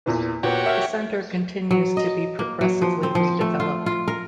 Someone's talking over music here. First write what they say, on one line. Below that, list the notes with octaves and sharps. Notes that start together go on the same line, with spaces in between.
The centre continues to be progressively redeveloped.
E2 A#2 E3
A#2 B3 F#4 G4 C#5
A#4 E5 F6
F#3
D#5
A#3
F#3
F3
C4
F3
A3
F4
F4
A#4